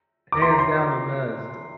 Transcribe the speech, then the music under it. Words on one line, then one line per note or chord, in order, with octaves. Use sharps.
hands-down the best!
D6
C6
A#5
C6